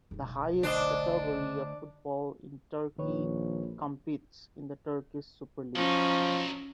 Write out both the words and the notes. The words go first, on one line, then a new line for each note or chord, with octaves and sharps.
The highest category of Football in Turkey competes in the Turkish Super League.
F1 B1
D2 D4 C5 D#5
A#1 D#3 B4 C#5
F3 F#3 C#4 D#4